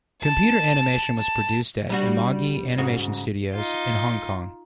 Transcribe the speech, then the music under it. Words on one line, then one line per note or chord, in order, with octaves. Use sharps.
Computer animation was produced at Imagi Animation Studios, in Hong Kong.
A5
A5
G3 D4 F#4
G#2 C#3 F#4
D#4 F4